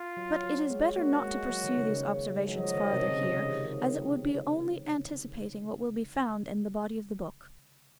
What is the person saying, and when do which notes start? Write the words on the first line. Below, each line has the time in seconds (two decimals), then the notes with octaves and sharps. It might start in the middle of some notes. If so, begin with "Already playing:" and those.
But it is better not to pursue these observations farther here, as it would be only anticipating what will be found in the body of the book.
Already playing: F4
0.17 F#3
0.43 F#3
0.70 G#3
0.97 A#3 F#4
1.24 G#3
1.50 F#3
1.64 D#3
1.77 C#3
1.90 C#3
2.39 G#3
2.48 F#3
2.57 F3 D#5
2.75 D#3
2.93 C3
3.11 C#3
3.24 C3
3.37 C#3
3.50 D#3
3.65 D#3